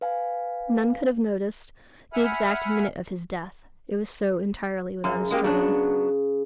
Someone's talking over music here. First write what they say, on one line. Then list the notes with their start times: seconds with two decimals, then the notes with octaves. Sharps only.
None could have noticed the exact minute of his death, it was so entirely without a struggle.
0.01 B4 F5 G#5
2.13 E5 F#5 G#5 B5 F6
5.04 F#2 C#3
5.31 G#3 A#3 G4
5.44 F#3 B3 D4